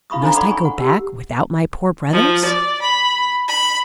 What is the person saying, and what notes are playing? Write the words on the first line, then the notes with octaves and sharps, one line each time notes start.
"Must I go back without my poor brothers?"
E4 F5 B5 C#6 D#6
D4 D#4 A4 C5 G#5 A#5
D5 F#5 B5 C6 D6 D#6
G#5 B5 C#6
F#5
G4 E6
F3
D5
B5
B5